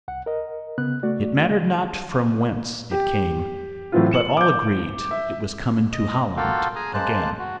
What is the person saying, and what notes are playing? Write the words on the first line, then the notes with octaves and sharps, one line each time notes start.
It mattered not from whence it came; but all agreed it was come into Holland again.
C2 F#5
A#4 D#5
C#3 B3 F#6
A3 F#4 D5
G4
A2 E3 F#3 C4 E4 F4
C#7 E7 F#7
D6 G6
E5
D#5
A#3 F4 F#4 A4 F5 G5
G#4 G#5 A#5 D#6
G#3 A#3 C5 A5 F#6
F#4